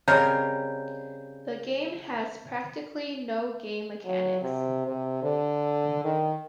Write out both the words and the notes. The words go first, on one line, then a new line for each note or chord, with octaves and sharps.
The game has practically no game mechanics.
C#3 G3 C4 A#4 C#5 D#5 G6
F#3
C3
C3
D3
D#3